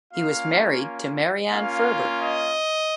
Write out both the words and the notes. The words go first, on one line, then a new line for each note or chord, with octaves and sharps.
He was married to Marianne Ferber.
A#3 C#4 F4 F5
A#3 C#4 F4 F5
D#5